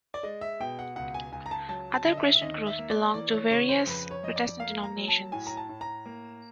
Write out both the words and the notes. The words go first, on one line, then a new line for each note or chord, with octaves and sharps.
Other Christian groups belong to various Protestant denominations.
D5
G#3 D#5
E5
B2 G5
F#5
C#2 F#5
G#5
C#2 G#5
A#5
A5
F#3 A5
A5
D3 D#5
E5
E5
D#2 D#5
E5
A#3
D5
E3 D5
C#5
C#3 C#5
C5
F2 B4
C#5
F2 D#5
D5
A#3 F5
A#5
F#3
A5
A2 G#5
A#5
A5
A2
A#5
A#3